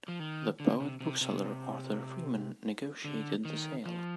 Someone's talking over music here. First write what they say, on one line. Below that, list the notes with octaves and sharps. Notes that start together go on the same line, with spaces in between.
The poet-bookseller Arthur Freeman negotiated the sale.
F3
D#3
D3
C3
C3
C3
D3
D#3
F3